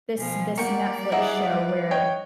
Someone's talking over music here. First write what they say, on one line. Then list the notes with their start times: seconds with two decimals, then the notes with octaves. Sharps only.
this this Netflix show where
0.18 B2 F3 G#5
0.58 G3 A#3 D5 F#5 G5 C#6
1.12 E4 G#4 D#5 F#5 G#5 A#5
1.52 B4
1.91 C#5 D#5 G5